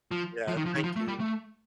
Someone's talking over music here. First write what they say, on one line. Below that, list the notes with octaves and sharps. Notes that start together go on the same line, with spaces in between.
Yeah, thank you.
F3
F3
D#3
F3
D#3
F3
A3
G3
A3